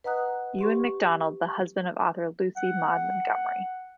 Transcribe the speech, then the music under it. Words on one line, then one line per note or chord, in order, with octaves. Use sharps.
Ewan Macdonald, the husband of author Lucy Maud Montgomery.
B4 D#5 F#5 A#5 D#6 F#6
G4 C6 C#6
F#5